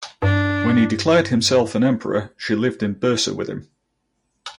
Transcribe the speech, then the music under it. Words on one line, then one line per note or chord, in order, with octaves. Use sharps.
When he declared himself an emperor she lived in Bursa with him.
G2 D4